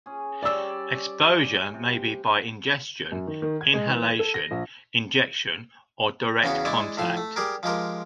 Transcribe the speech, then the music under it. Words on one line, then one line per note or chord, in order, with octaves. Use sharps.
Exposure may be by ingestion, inhalation, injection, or direct contact.
C#4 G#4
G3 C#5 D5 E6
C3
F#2
D#3
D#3
G#6
G#3
E3
G#6
A4
A#6
A#1
E2 C#3 B3 C#4 F#4
G#3 E4 D5
A2 F3 E5 C6
A3
G3 G4 G#4 A#4
F3 G#3 G4 A#4